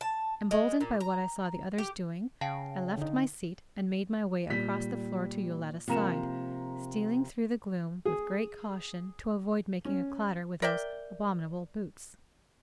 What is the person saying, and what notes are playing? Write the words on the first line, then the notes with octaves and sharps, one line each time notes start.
Emboldened by what I saw the others doing, I left my seat and made my way across the floor to Yoletta's side, stealing through the gloom with great caution to avoid making a clatter with those abominable boots.
A5
G#3
A#2
A#5
G4
C#3 F5 G5 A5
D3 D#4
A#2 G3 B6
C3 F3 A#3 A#5 E7
G#4
C#4
A#4 D5 E5 G5